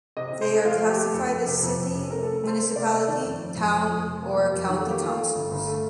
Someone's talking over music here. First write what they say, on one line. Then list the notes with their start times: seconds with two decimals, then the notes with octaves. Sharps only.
They are classified as City, Municipality, Town or County councils.
0.17 C3 D#5
0.28 C3 D#5
0.41 C5
0.49 A3 A4
0.65 F3 F4
0.82 A3
0.90 G4
0.97 A3
1.14 F2 A4
1.29 F2
1.46 C3
1.63 F2
1.78 F2
1.95 C3
2.11 A3 A#4
2.23 A3 A4
2.44 A3 C5
2.59 A3 C5
2.76 C3 D5
2.92 A3 D#5
3.08 D#3 D5
3.25 F2
3.40 F2
3.57 F2
3.73 F2
3.90 F2
4.05 C3
4.22 A#3
4.37 F2
4.53 F2 A#4
4.67 D#3 G4
4.78 A4
4.86 A#3
4.91 G4
5.03 A3 F4
5.18 A3
5.35 G1
5.51 G1
5.67 A3